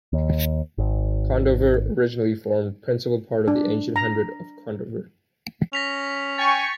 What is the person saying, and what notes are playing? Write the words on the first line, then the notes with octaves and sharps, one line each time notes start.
Condover originally formed a principal part of the ancient Hundred of Condover.
D#2
G#1
D4
A#5
C#4 A#6 B6 F7
G5 G#5 C#6 A6